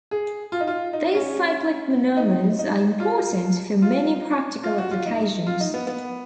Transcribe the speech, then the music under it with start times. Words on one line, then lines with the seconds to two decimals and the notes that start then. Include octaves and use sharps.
These cyclic monomers are important for many practical applications.
0.11 G#4
0.52 F4
0.60 D#4
0.67 F4
0.93 D#4
1.14 C#4
2.17 D#4
2.59 D#4
3.00 F4
3.82 F4
4.64 F4
4.78 F#4
4.91 F4
5.06 D#4
5.47 F4
5.60 D#4
5.74 B3
5.87 B3